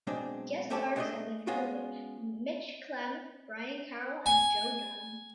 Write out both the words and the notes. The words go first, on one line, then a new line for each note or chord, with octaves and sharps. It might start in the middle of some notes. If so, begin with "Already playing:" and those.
Guest artists have included Mitch Clem, Brian Carroll and Joe Dunn.
B1 G#3 C4 D4
C4 C#4 G4 A4 D5 A5
G#3 A3 D4 C5 D5 D#5
G#3 B3 C#4 F4 F#4 G#4
G#5